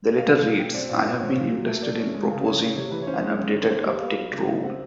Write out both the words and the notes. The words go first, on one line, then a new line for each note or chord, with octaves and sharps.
The letter reads, I have been interested in proposing an updated uptick rule.
F5
B2 F#5
B2 F5
B2 G5
C4 D5
A#2 D5
A#2 B4
C4 C#5
A#2
F#3
A3
A3 D5
C#4
G#3
C#3
C#3 C#5
C#3 C#5
C3 C#5
E3 B4
C#5
C#4 C5
G#3
C#4
D#3
A#3 C5
C#5
G3 C5
B3 F5
F#3
C#3
C#3
C4 F#5